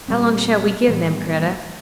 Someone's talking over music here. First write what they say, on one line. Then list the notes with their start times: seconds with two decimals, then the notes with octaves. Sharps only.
"How long shall we give them, Kreta?"
0.08 A#2 G3 C4
0.88 A2 E3 G3 B3